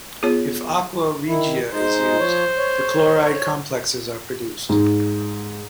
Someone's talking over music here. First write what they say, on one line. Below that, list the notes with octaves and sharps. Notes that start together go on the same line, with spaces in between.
If "aqua regia" is used, the chloride complexes are produced.
B3 F4 G#4 C#5
D#3 E4
G#3 D#4 C5
F3 C#5
C#5
G#2